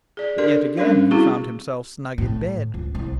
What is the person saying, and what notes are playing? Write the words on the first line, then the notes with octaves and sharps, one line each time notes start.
But yet again he found himself snug in bed.
G#4 D5
D4 G4 A4 A#4 D5
G3 C#4 D4 A#4 C5 F5
C4 E4 F#4 G#4 F5 C#6
A2
C#2
C2